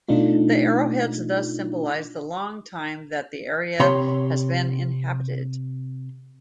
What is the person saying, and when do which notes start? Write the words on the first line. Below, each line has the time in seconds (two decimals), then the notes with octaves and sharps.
The arrowheads thus symbolize the long time that the area has been inhabited.
0.09 B2 A3 D4 D#4 F4
3.80 C3 C#5 B5 C6